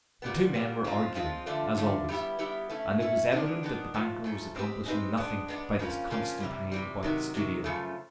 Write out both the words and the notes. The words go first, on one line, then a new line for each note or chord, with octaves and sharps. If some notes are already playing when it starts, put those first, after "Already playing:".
The two men were arguing, as always, and it was evident that the banker was accomplishing nothing by this constant hanging about the studio.
A#2 G3 B3
A#2 G3 B3
F3 G#3 C4 F4
F3 G#3 C4 F4
D3 F3 A3 D4
D3 F3 A3 D4
G3 B3 E4 G4
G3 B3 E4 G4
A3 C#4 E4
A3 C#4 E4
D#3 G#3 B3 D4
D#3 G#3 B3 D4
G#2 F3 A3
G#2 F3 A3
G#3 C4 D#4 G4 B4
G#3 C4 D#4 G4 B4
G#3 B3 D4
G#3 B3 D4
C#3 F3 A#3 C#4
C#3 F3 A#3 C#4
C3 E3 G3
C3 E3 G3
C3 D#3 F#3
C3 D#3 F#3
F#2 C#3 F3 A3